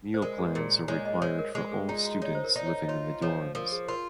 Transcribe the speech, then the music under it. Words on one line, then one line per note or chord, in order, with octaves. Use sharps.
Meal plans are required for all students living in the dorms.
C5
G#3 A#4
G#4
A#2 A#4
G#3 C#5
D#5
C5
G#3 C#5
A#4
G#3 G#4
G#4
D#4 F4
F#4
D#4 C#5
C5
A#4
D#4
C#5
D#5
F4 C#5
F3 C#5
F3 A#4
G#4
F4 A#4